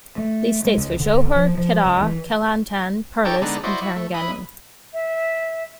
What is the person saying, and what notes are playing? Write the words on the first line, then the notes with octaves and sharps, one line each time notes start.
These states were Johor, Kedah, Kelantan, Perlis, and Terengganu.
A3
G#3
C#2
D3
F3
F3
C#2
E3
D#4 G4 A4 C#5 G5 A5
D3 G#3 B3 D4 D#4
E4 F#4 C5 D5 D#5
E4 F#4
A3
E4 B4 B5 D#6
E5